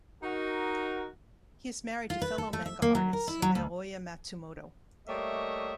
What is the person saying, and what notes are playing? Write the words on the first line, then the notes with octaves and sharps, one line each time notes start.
He is married to fellow manga artist, Naoya Matsumoto.
D#4 F#4 A#4
F4
B4
A4
A3
E5
A#3
F#3
A#4
E4
F#3
D2
G3 A3 A#3 C#5 D#5 E5